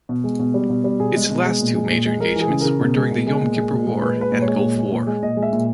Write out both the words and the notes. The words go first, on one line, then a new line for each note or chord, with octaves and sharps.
Its last two major engagements were during the Yom Kippur War and Gulf War.
B2
G#3
B2
G3
B2
G3
B2 G#4
G#3
B2
G#3
A#2
G#3
A#2
G#3
G#3 A#4
E3
G#4
C#3
C#3 A#4
B2
G#3
B2
G#3
A#2
G#3
A#2
G#3
A#2 B4
G#3 B4
A#2
C#5
G#3
A#2
G#3
A#2
G#3
A#2 D#5
G#3
E5
A#2